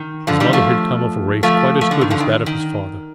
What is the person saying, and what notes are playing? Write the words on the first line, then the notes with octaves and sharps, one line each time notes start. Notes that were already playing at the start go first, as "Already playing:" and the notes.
His mother had come of a race quite as good as that of his father.
Already playing: D#3
D3 F3
D#3 G3
F3 A3
F3 A3
F3 A3
D3
D#3
D3 F3
D#3
D#3